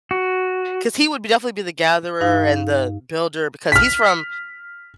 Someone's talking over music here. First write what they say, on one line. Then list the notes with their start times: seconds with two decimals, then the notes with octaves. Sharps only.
'Cause he would b definitely be the gatherer and the builder because he's from,
0.11 F#4
2.21 G2 D#4 F5
3.72 F6 B6